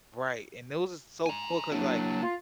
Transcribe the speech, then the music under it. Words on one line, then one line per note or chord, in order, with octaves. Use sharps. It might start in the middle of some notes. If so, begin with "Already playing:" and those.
Right. And those are so cool 'cause, like,
G#5 A#5
F#3 A#3 D4 E4
F4